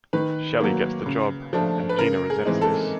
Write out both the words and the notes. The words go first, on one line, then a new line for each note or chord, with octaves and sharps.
Shelley gets the job and Geena resents this.
D#3 B4
F#3 A#3
C#3
F3 A3 D4
B4
C#3 A#4
G#4
E3 G#3 C4 D#4
A4